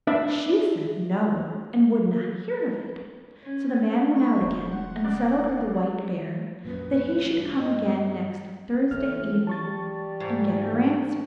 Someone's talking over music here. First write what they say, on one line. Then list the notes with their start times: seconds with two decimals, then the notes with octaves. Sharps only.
She said no, and would not hear of it; so the man went out again, and settled with the White Bear that he should come again next Thursday evening, and get her answer.
0.07 D4 B4 D5 E5
3.45 C#4
4.14 C#6
4.41 E1 C5
4.70 F#5
5.04 C#3 D5 F#6
6.65 A#1 F#2 A#2 B4
7.08 A1
7.38 G2 D4
7.58 D#5
8.91 A2 E3 F6
9.47 G3 A5 C#6 A6
10.20 G#2